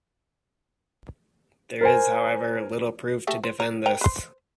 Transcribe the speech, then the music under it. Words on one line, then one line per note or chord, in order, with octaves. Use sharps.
There is, however, little proof to defend this.
A#4 C5 G#5
A3 G4 G#4
C5
A#4
A#4 G5 A#5
B4 C5